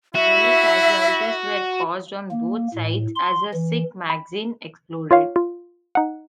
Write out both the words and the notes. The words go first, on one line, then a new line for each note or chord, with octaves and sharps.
Many casualties were caused on both sides as a Sikh magazine exploded.
E4 F#4 E5
A#3
A2
C6
E3
B5
F4 C#5 F5
F4
D#4 F#5